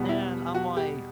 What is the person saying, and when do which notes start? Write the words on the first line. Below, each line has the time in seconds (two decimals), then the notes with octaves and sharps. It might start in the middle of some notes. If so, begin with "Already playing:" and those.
And I'm, like
Already playing: E2 B2 G3 B3
0.09 E4
0.55 F#4
0.77 G4